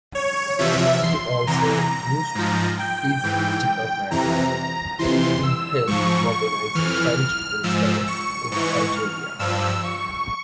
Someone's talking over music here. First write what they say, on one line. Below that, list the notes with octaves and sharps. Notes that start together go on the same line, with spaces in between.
He also used his department to help mobilize French resistance in Algeria.
C#5
E2 C3 F3 E5
C6
E2 C3 E3 A#5
G#2 F3
G5
G#2 E3
F2 C3 E3 A#5
F2 C3 E3 C6
E6
G#2 F3 C#6
C#6
F2 E3 F6
G#2 F3 E6
C#6
G#2 E3 C#6
F6
G2 F3 E6
C#6